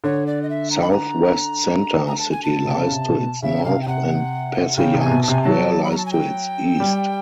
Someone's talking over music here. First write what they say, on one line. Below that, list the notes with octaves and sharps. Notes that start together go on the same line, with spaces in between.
Southwest Center City lies to its north, and Passyunk Square lies to its east.
D3 C#5
D5
D#5
E5
A#5
B5
A#5
A#5
A5
G#5
A5
C3
C#3
C3
B2
C#3 E5
C3 F5
G5
C3 F#5
C#3 G5
C3
G#5
C3
B2
A5
C3 G#5
F#3 A5
B5
A#5
A5
G#5
G5
G3